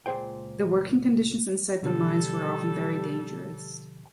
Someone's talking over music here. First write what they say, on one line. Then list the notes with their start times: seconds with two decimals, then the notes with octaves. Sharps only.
The working conditions inside the mines were often very dangerous.
0.06 C#2 A#2 F3 G#4 C5 G5
1.83 B2 D3 F3 G3 A4